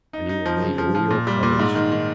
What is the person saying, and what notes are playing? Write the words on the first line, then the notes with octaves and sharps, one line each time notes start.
And you will need all your courage.
D#4
D#4
F3
C#3
F3
F3
A#2
G3
A#2
G#2
D#3
D#3